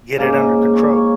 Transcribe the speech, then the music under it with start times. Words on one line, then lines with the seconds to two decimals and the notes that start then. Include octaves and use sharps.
get it under control.
0.16 G#2 C#3 A#3
0.75 C#5 C#6